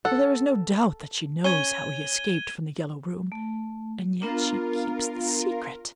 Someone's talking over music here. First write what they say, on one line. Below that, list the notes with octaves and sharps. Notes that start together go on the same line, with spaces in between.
For there is no doubt that she knows how he escaped from The Yellow Room, and yet she keeps the secret.
A4 F#5
C#4 G#6 D#7 G7
A3
B3 D4 F4 A#4